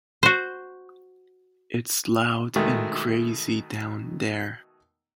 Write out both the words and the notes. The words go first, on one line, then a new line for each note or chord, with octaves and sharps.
It's loud and crazy down there.
F#4 C5
B2 D#3 G#3 A3